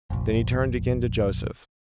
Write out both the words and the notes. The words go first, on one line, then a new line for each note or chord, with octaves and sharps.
Then he turned again to Joseph.
F1 A#1